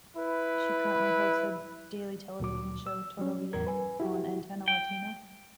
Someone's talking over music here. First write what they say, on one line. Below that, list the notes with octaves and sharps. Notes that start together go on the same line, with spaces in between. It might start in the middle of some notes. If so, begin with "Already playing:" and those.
She currently hosts a daily television show "Todo Bien" on Antena Latina.
E4 B4
D2 A#2 F#3 D6
E6
F#3 C#4
E2 A2 A#4 G#6
B4 G#5
E4 F#4 G4
G5